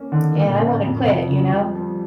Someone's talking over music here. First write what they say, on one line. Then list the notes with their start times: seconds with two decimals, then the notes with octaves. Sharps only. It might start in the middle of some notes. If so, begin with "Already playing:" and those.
and I wanna quit, you know?"
Already playing: A#3 C#4
0.12 D3 D#3
0.29 D#3
0.35 A#3
0.47 A#2
0.58 C#4
0.64 A2
0.81 F2 A2
1.05 C3 F3
1.29 C#3 F3
1.53 F3 G3
1.75 F3